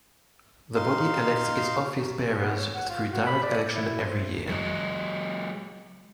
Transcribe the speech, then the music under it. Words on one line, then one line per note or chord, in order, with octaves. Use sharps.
The body elects its office bearers through direct election every year.
D#4 F5 C6
B3
C#5
F#5
F4
F#4
B5
D5
E4
C5
F#3 G#3